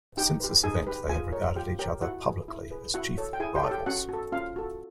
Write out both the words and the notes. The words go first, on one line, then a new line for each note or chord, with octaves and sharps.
Since this event, they have regarded each other publicly as chief rivals.
D#4 G4 G5
G4 B4
D#4 G#4 G#5
G4 B4
F4 G#4 G#5
A#4 C#5
F4 G4 G5
G4 A#4 C#5 G5
E4 F#4 F#5
G#4 B4
E4
G#4 B4
E4 F#4 F#5
A4 C#5
G5
E4 G#4 G#5
G4 G5
A4 C#5
G4 G5
C#4 F#4 F#5
F#4 A4
C#4 F4 F5
F#4 A4